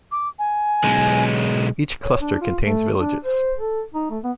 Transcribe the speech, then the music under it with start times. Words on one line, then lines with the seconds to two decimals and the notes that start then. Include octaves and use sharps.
Each cluster contain villages.
0.12 D6
0.39 G#5
0.84 B1 G#3
2.03 C#5
2.21 D4
2.41 F4
2.64 A3
3.00 D4
3.24 C5
3.58 A4
3.94 D#4
4.10 A3
4.24 B3